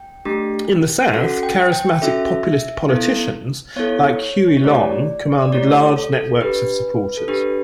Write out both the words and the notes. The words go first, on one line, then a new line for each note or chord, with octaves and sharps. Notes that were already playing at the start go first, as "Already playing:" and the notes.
In the South, charismatic populist politicians like Huey Long commanded large networks of supporters.
Already playing: G5
A3 D4 G4
C#4 F#4 A4 F#5
G5
G5
C#4 F#4 A4 E5
B3 E4 A4
B3 E4 A4 C#5
C#5
A3 E4 G4 D5
D5
A3 E4 G4 C#5
A4
A4
D4 G4 B4
A4
D4 G4 B4